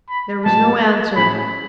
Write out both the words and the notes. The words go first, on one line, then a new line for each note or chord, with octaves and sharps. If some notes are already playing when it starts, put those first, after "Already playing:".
There was no answer.
B5
A2 G#3 C#4 F#4 B4 A5
A2 F#3 C#4 G#4 B5